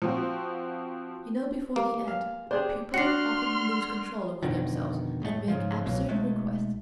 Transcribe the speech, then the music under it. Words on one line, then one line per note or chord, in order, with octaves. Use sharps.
You know, before the end people often lose control over themselves and make absurd requests.
F3 C4 F#4
A#3 G4
F5 G#5
D4 G4 G#4 C5 D6
D4 F#4 C6 F6 C7 C#7
F2 B2 D3 D#3
A2 A3
G#2 C#3 F3
C2 B2 F#3 A#3
B1 G#3 A3